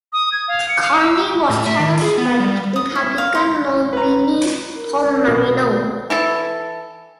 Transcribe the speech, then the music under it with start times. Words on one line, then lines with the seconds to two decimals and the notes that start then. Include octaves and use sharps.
Carney was challenged by Republican nominee Tom Marino.
0.13 D#6
0.32 G#6
0.48 F5
0.69 C#7
0.81 F5
0.98 E6
1.50 A2
1.66 E5
1.80 D#3
2.02 G#4
2.18 B3
2.40 G3
2.76 D#6
2.95 E4
3.18 F5
3.35 C6
3.93 D#4 B4 A#5
4.76 A#4
5.28 B2
6.10 E3 E4 A4